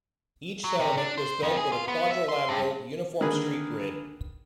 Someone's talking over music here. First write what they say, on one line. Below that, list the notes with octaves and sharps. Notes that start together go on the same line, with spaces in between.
Each settlement was built with a quadrilateral, uniform street grid.
F#3
C3
D4
C5
F2
G#4
F4
B3
E5
C6
G2
D3 D#3 A#3 G#4 A#4 B4